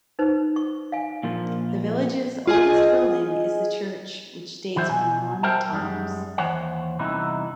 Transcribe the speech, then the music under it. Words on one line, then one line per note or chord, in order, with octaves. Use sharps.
The village's oldest building is the church, which dates from Norman times.
D#4 B4 C5
C#6
F5 G#5
A#2 F3 A#3
F4 G#4 D#5 G#5
D#2 E3 F#3 C5 E5
B2 G#5
A#4 C5 E5 G5 A5
F#2 G3 G#3
D#2 E3 C5 C#5 F#5
E2 G2 C3 E3 D#4 E4